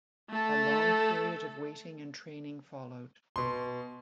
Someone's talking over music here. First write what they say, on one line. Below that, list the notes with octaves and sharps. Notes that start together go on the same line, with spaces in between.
A long period of waiting and training followed.
A3 A4
B2 C6